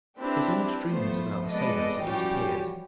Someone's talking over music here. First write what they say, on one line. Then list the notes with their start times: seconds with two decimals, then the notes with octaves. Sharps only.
His old dreams about the sailors had disappeared.
0.19 C4 D4 E4 G4 B4
0.88 F3 A3 B3 C5
1.48 G#3 B3 A4 B4 D5 D#5
2.02 E3 F3 G3 C#4 F#4 G4